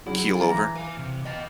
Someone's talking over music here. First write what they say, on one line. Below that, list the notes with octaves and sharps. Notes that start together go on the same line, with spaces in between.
keel over?
C#3 F#3 E4
F4 A#4 A5
E3 A#5
B4 F5 G#5
C3
B3 G4 D#5 F5 A5